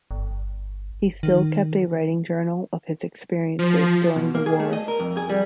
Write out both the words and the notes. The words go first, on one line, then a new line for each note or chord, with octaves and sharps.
He still kept a writing journal of his experiences during the war.
G1
D#3
F3
B2
A#3
G#4
A3
D#5
A#4
F2
G#4
G3